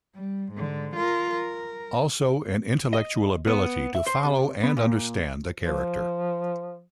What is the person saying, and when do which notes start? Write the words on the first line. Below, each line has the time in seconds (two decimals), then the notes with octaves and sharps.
Also an intellectual ability to follow and understand the character.
0.15 G3
0.52 G#2 D3
0.96 F4 A#4
1.31 A#4
2.93 D#5
3.47 B3
3.95 E5
4.07 C5
4.24 C3
4.63 B3
4.77 A#2
5.61 F3